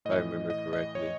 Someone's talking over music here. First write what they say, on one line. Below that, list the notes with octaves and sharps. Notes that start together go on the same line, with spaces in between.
I remember correctly.
A2 E3 D#5
D#5
D#5
C#5